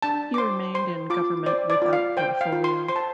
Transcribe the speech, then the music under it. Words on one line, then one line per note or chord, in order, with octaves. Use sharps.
He remained in government without portfolio.
D4 A5
D6
C5 C6
C5 C6
F4 D6
C5 D5
D5
F4
F5
C5 G5
F5
F4
C6
C5 C6
A5